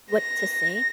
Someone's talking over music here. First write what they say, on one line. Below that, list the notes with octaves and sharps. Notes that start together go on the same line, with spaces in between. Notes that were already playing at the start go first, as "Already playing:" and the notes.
what to say,
A#6